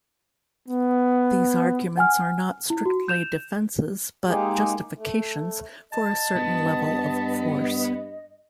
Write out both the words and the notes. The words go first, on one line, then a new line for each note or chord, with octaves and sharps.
These arguments are not strictly defences but justifications for a certain level of force.
B3
F#5 G#5 F6
E4
F#4
G6 E7 F7
G#3 A#3 D#4 G4 G#4
A3
D#5 A5
G2 B3